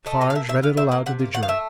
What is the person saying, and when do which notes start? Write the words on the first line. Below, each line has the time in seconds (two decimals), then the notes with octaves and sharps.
Defarge read it aloud to the jury.
0.06 A3 D#5
0.21 B2 D#5
0.30 F5
0.35 A#3 E5
0.49 D#3 E5
0.62 B3 F5
0.77 D#3 E5
0.91 A#3 F#5
1.06 C3 F#5
1.20 A#3
1.34 D#3 F#5
1.43 F5
1.48 A3 E5